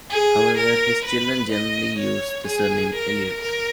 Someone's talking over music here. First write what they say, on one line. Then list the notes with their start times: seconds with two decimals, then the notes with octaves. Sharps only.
However, his children generally used the surname Eliot.
0.10 G#4
0.57 A#4
1.05 B4
1.52 D#5
1.99 C#5
2.47 G#4
2.95 A#4
3.42 A#4